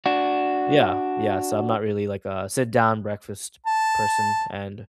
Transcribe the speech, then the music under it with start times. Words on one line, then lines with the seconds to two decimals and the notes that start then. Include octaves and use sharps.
Yeah, yeah, so I'm not really, like, a sit-down breakfast person, and
0.06 D4 F#4
3.66 A5